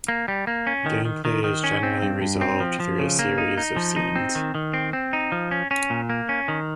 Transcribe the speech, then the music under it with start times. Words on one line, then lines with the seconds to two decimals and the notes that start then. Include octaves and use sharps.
Gameplay is generally resolved through a series of "scenes".
0.08 A#3
0.28 G3
0.47 A#3
0.67 C#4
0.86 D#3
1.05 D#3
1.25 D#3
1.44 D#3
1.64 C#4
1.83 C4
2.02 G2
2.21 G2
2.41 C4
2.60 F3
2.80 F3
2.99 C#3
3.19 A#3
3.38 D#4
3.58 D#4
3.77 F3
3.96 D#4
4.16 C4
4.35 D#3
4.55 D#3
4.74 C4
4.93 C4
5.13 D#4
5.32 F3
5.51 C#4
5.71 C#4
5.90 A#2
6.10 A#3
6.29 C#4
6.48 D#3